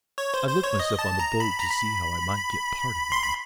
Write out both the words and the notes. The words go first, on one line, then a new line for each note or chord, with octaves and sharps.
I looked myself on the boat to see how I might get part of them.
C#5
C5
C5
C#5
D#5
A5
A#5
B5
A#5
B5
C6
B5